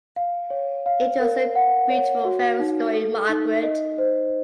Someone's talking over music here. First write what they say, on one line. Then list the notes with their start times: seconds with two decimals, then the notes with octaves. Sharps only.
It was a beautiful fairy story, Margaret.
0.16 F5
0.50 C#5
0.86 F5
1.20 A#4
1.55 F#5
1.90 C#5
2.25 F#4
2.60 D#4
2.94 A4
3.29 D#4
3.63 D#5
3.98 C5